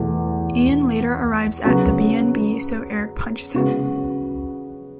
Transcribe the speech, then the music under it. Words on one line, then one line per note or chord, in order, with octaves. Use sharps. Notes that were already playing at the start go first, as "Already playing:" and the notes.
Ian later arrives at the B and B so Eric punches him.
Already playing: E2 B2 A3
C#3 F#3 B3 F#4
C#3 G#3 B3 F#4